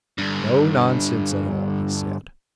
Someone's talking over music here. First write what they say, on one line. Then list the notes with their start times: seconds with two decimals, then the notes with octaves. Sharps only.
"No nonsense at all," he said.
0.18 G2 D3